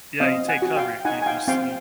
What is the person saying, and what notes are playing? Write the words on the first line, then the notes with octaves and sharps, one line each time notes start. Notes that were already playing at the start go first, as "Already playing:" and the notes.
Yeah, you take cover. You you s y
C4 D#5 F5
F#5 G#5
F#4
F5 G5
D#4 F#5 G#5
G#5
F5 G5
C4 F5 G5